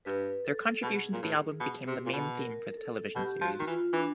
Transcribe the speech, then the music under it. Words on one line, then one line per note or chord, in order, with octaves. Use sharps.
Their contribution to the album became the main theme for the television series.
G2 B4
A4
B2 G#4
A#2
A2
B2
C3
A#2
B2
A#4
A4
B2 G4
F3 F#4
D#3
E3 F4
E3 D4